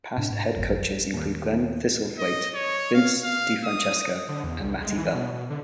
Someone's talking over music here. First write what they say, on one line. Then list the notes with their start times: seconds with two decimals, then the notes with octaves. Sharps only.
Past head coaches include Glenn Thistlethwaite, Vince DiFrancesca, and Matty Bell.
0.18 A2 C3 D4
0.30 G#2
0.56 G#1 C#2 F#2
1.13 D#2
2.19 D#5
2.55 C#5
2.94 F5
3.23 F5
3.64 D#6
4.28 D3
4.44 E2
4.63 C2
4.82 G#3
4.97 E3
5.14 B2
5.32 B2
5.50 D3